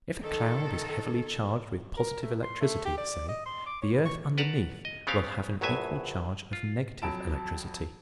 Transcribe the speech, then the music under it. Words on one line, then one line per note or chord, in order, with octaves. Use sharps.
If a cloud is heavily charged with positive electricity, say, the earth underneath will have an equal charge of negative electricity.
D#3 A4
A#4
A3
C6
A3
G4
D5
D#5
C6
D6
C#5
B4
C#6
B4 D5 F#5 A5 A#5
D#5
C#3 B3 C4 G4 C#5 F5
A#1 E2 A2 F#3 E5 G#5
F4
F2 F#3 A5 B5 D7 E7